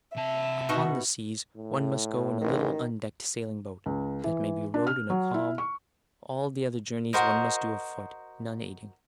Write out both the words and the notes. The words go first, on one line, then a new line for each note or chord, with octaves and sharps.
Upon the seas one must go in a little undecked sailing boat, that may be rowed in a calm; all the other journeys one must do afoot, none aiding.
C3 E5 A5
B2 D#4 F#4
A2
A1 D#3
C#2
E3
D4
F6
F#3
E4
C#6
F#4 A#4 C5 D#5